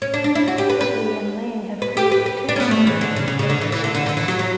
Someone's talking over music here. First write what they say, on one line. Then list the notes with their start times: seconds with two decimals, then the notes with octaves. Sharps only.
Woodley and Lane have created two television shows together.
0.02 C#4
0.14 D4
0.24 D4
0.35 E4
0.48 F#4
0.58 G4
0.70 B4
0.81 B4
1.82 B4
1.97 G4
2.12 B4
2.26 B4
2.49 D4
2.56 C#4
2.60 B3
2.71 A3
2.87 E3
3.01 D3
3.16 C#3
3.28 C#3
3.39 C#3
3.50 D3
3.61 E3
3.72 E3
3.84 D3
3.95 D3
4.06 D3
4.17 E3
4.28 F#3
4.39 F#3